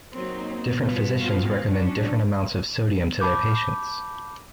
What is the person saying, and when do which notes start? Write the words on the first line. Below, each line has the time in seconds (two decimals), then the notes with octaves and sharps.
Different physicians recommend different amounts of sodium to their patients.
0.14 F#3 A#3 C4 D#4
0.80 G2 B2 B3 F4
1.19 F3 C4 F5
1.66 F#3 C#4 D4
3.20 A5 B5 D6 G6